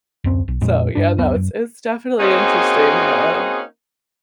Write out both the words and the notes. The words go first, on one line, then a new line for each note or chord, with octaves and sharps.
So, yeah, no, it's it's definitely interesting, uh,
D1 F#2 C4
B1
F2 A#2 G#3
G2 D4
C#2 F#2 B3
F#2
A#3 C4 C#4 D#4 F#4 G#4